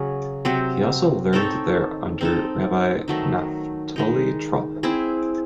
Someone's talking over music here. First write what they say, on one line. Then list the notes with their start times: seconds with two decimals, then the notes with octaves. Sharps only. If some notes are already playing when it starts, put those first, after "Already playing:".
He also learned there under Rabbi Naftoli Trop.
Already playing: C#3 F#3 C#4 G#4
0.45 C3 F#3 C4
1.33 C4 D#4 A4 C#5
2.21 C4 D#4 A4
3.08 D#3 F#3 A3 D#4
3.96 D#3 G#3 D#4
4.83 C4 E4 G#4